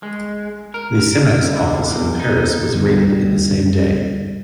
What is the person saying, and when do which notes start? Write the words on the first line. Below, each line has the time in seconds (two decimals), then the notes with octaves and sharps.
The Simex office in Paris was raided in the same day.
0.03 G#3
0.74 A#4
1.55 D3
1.90 E2
2.19 D#4
2.73 D3 G3 B3